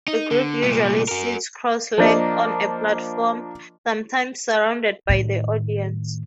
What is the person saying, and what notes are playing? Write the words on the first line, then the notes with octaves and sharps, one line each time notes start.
A group usually sits cross-legged on a platform, sometimes surrounded by the audience.
D#4
D3
C2 A#2
F#4 A#4
F3 A#3 D4 D#5
A2 D#3